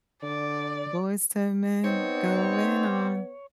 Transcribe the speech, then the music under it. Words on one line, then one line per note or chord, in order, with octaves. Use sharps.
Boyz II Men going on
D3 D5
B3 C4 D#4 C5 C#5